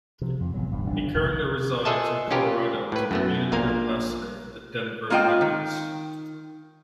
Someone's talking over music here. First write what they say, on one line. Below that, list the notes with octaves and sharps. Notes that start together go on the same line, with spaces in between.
He currently resides in Colorado as a community ambassador for the Denver Nuggets.
C3 F3
F2
G#1 B2 E3 F#3
D1 G2
G1 F3 D4
F1 A#1 C3
G#4 A4 C5 D#5 E5 A5
C#4 F4 G4 A#4
A2 B4
F#2 A3 B3
A#1 A#2 A#3 F5
A#3 C4 F4 D#5 G5
D#3